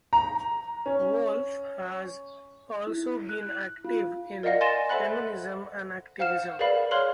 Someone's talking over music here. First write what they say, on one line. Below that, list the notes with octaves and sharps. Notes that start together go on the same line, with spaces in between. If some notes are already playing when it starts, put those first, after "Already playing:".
Wolfe has also been active in feminism and activism.
A#5
C#4
E4
F#6
F4
A#4 D5 D#5 F5 F#5 A#6
G#5 C6 A6 A#6 D#7 E7
A4 C5 E5 F#5 B5 F#6
C5 F5 F#5 F6 E7
G#4 A#4 B4 D5 F5 B5
C#5 F5 C6 F6 F#6 F#7